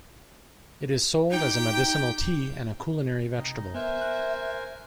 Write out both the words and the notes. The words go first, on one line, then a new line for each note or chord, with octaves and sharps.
It is sold as a medicinal tea, and a culinary vegetable.
D#4 G4 G5
C3 D#4 D#5
B3 A#4 C5 E5 G#5
F#6